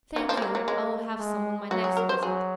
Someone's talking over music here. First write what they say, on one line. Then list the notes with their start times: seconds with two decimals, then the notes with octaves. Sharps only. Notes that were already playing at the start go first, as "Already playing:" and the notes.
"Thank you, I will have some on my next visit."
0.16 F#3 A#3
0.29 F3
0.37 G#3
0.42 F#3
0.55 F#3
0.68 G#3
1.19 G#3
1.71 F#3 F#4
1.84 G#4
1.97 A#4
2.09 C5
2.23 F#3 G#4